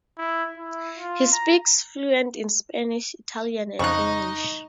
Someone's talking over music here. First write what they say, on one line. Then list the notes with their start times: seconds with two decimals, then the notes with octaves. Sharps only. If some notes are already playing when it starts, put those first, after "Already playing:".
He speaks fluent Spanish, Italian, and English.
0.18 E4
0.57 E4
0.98 F4
1.32 A#5
3.79 F2 C#3 D#4 D#5 F#5 C#6 F#6